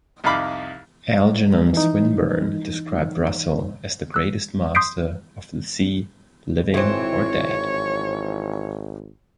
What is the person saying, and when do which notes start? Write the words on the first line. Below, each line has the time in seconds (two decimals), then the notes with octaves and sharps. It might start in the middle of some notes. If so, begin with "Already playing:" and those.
Algernon Swinburne described Russell as the greatest master of the sea, living or dead.
0.24 C2 F2 D#4 F5 B5 D6
1.73 E3 D#4
4.14 E6 F#6
4.75 C6 D#6 G6 B6 C7 D7
6.74 G#1 E3 C4 C#5